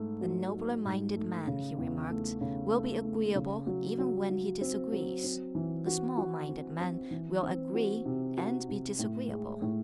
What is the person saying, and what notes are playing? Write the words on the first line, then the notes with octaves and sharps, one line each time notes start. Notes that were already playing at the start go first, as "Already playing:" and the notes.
"The nobler-minded man," he remarked, "will be agreeable even when he disagrees; the small-minded man will agree and be disagreeable."
Already playing: G#2 A3
F#3
F#3
G#2
A3
C#3
E2
A3
C#3
A3
A3
C#3
F#3
F#3
F#3
C4
F#3
C4
E3
F#4
F#4
C4
C4
E3
C4
F#4
C3
F#4
C3
A2
G#3
A2